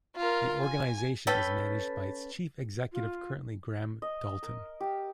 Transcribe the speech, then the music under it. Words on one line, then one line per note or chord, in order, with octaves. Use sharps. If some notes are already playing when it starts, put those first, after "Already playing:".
The organisation is managed by its chief executive, currently Graham Dalton.
F4 A#4
G#5
C#4 A4 B4 G5
F4
D#5
A#4
G4